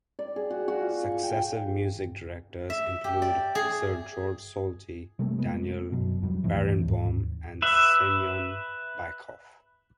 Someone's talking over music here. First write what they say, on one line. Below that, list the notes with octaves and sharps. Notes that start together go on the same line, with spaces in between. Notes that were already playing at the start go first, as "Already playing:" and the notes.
Successive music directors include Sir Georg Solti, Daniel Barenboim, and Semyon Bychkov.
D5
G#4
F#4
F#4
F4
C#6
G5
E5
G4
D5
G#4
C3 G3 A3 A#3
G#3 B3
G1 F#2 B2
F2 F#3 G3
D2 A2 E3 F3
D#2 G#2
B4 E5